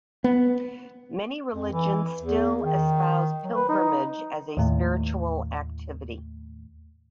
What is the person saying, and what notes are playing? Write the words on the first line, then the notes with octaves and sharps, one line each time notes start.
Many religions still espouse pilgrimage as a spiritual activity.
B3
F2
E3
E2
D#3
F#3
B4
D#4
D#2 A2